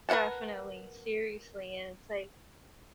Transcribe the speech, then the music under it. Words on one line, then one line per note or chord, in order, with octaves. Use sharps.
Definitely, seriously, and it's, like,
A#4 B4 F5 F#5 A5